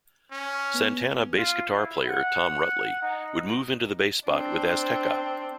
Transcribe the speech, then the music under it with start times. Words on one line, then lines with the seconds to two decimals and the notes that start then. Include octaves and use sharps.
Santana bass guitar player Tom Rutley would move into the bass spot with Azteca.
0.32 C#4
0.74 B3
1.37 F4
1.75 E4
2.07 F#5
3.02 D#4
4.28 C4 D4